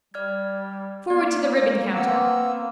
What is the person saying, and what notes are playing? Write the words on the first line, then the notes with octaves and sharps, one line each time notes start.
Forward to the ribbon counter.
G3 D5 F6 G#6
A#3 B3 D5 G#6
B3 C4 G5 E6
A#3 C6